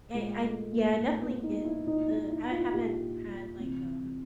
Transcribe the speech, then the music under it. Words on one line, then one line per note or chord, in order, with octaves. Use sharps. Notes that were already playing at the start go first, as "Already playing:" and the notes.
ye I yeah, I definitely get the I haven't had, like, um,
A#2 G#3
A3
A#3
A#2 A#3
A#3
B3
D#4
E4
A#2 D#4
D#4
E4
F4
A#2 G4
C3 E3